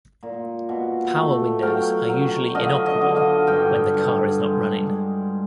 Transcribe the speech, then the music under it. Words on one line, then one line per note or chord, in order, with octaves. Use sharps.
Power windows are usually inoperable when the car is not running.
A#2
B2
A3
F#3 F5 G5
F#3
D3 D#5 F5
D#5 F5
D3
D#5 F5
G2 F5 G5
G2
G#3
G#3